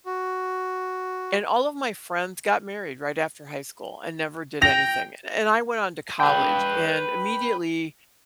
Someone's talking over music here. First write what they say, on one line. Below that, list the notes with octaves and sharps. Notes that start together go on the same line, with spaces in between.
and all of my friends got married right after high school and never did anything, and I went on to college, and immediately
F#4
G5 A#6 F7
B4 G5